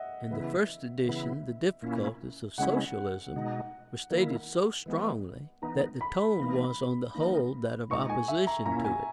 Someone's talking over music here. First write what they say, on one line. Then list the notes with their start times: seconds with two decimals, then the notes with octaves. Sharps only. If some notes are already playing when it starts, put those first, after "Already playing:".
In the first edition the difficulties of Socialism were stated so strongly, that the tone was on the whole that of opposition to it.
Already playing: D#5 E5 F#5
0.30 C#3 E3 B3 E4
1.06 C#3 E3 B3 E4
1.82 A#2 A#3 C#4 E4
2.58 C#3 G#3 C#4 E4 F#5
3.34 B2 G#3 D#4
4.11 D#3 A#3 E4
4.86 E3 G#3 B3
5.62 E3 B3 D#4 A#5
6.01 B5
6.38 E3 A#3 D#4
7.15 E3 A#3 D#4
7.90 A#2 G#3 D#4 C#6
8.09 G#5
8.28 E5
8.47 A#5
8.66 A#2 A#3 C#4 E4 A#5
8.85 G#5